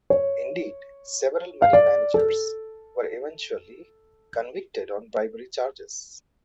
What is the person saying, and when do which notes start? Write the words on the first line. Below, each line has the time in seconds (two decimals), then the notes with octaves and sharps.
Indeed, several money managers were eventually convicted on bribery charges.
0.10 C#5
1.62 F5
1.73 D5
2.14 A4